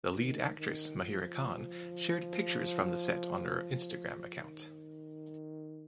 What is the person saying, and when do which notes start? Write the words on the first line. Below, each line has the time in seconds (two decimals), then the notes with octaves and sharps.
The lead actress Mahira Khan shared pictures from the set on her Instagram account.
0.15 D#3
0.58 D#3
1.00 F3
4.41 D#3